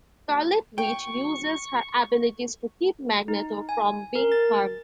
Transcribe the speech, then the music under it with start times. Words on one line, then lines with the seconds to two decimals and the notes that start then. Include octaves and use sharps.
Scarlet Witch uses her abilities to keep Magneto from being harmed.
0.78 G5 C#6
3.28 D#4
3.69 G#5
4.15 A#4
4.32 A6